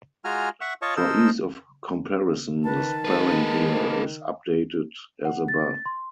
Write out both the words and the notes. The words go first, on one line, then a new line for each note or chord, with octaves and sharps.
For ease of comparison the spelling here is updated as above.
G#3 F4 F#4 G#5 A#5 F6
E5 F#5 C#6
F4 C#5 D#5 A5 C#6
A4 A#4 C5 D#5 E6
D#3 B4 A5
G#3 A#3 B4
F#5
A6
C6